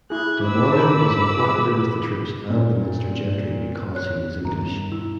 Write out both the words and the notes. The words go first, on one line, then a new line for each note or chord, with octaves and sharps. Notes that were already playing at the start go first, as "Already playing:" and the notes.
Glamorgan was unpopular with the troops and the Munster gentry because he was English.
E4 G#4 F#6 G#6
B5 D6 E6
D#4 C5 A5
F4 G#4 B4
A#2
C#5 F#6
G2 B2 D#3 A#5
E4